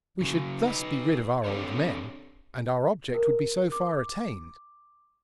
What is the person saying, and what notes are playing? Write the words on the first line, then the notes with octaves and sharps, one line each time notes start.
We should thus be rid of our old men, and our object would be so far attained.
C#3 F#3
D#4 B4
C4 D4 G4 A4 B4 C#5
A#4
D6